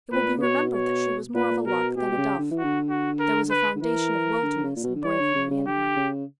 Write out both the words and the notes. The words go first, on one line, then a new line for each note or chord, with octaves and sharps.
It will be remembered that she was more of a lark than a dove. There was a foundation of wildness and bravery in her.
A#2 B4
C#3
B2 C#5
C#5
A#2 B4
B2 A#4
B2 G4
B2
C#3
D3
E3
F#4
D3
F#4
A#4
B4
D3
E3 A#4
D3
D3
C#3
A#2
B2
D3
E3 C#5
D3
C#3
C#3
D3 G4
C#3